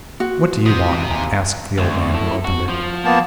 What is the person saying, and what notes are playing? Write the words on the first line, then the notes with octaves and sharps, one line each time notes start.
'What do you want?' asked the old man who opened it.
A#3 F#4
C3 D#6 G6
E3
D#2 F5 G#5 A#5
D2
E4 A4
F#4
F3
A#3 B3 A5